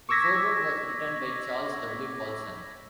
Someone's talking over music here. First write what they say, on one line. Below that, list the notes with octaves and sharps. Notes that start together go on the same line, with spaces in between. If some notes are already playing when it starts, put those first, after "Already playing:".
The foreword was written by Charles W. Colson.
C#6 D6 E6 G#6 A#6 B6